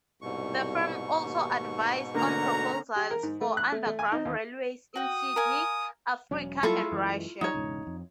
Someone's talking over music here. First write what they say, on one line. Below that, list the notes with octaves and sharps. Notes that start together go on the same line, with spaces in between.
The firm also advised on proposals for underground railways in Sydney, Africa and Russia.
C2 G#2 B2 C#6
D#2
D2 D3 A#3 B4 F#5 A#5
G4
A#4
G#2
A3
F#6
A3
A3
G#5
D#4
D#2
F#4 G5 D#6
A#4 F5 G#5
E1 F#3 C#4
F#3 G3 A#3 E4 F4 A4 C#6
F#2 E3 G#3
F3 G3 D#4 C#5
E1 G#2 C#3
F2